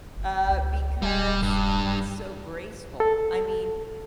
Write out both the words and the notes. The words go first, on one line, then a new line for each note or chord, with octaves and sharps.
uh, because he was so graceful. I mean,
G1
C#2
D#1 G3
G2
A4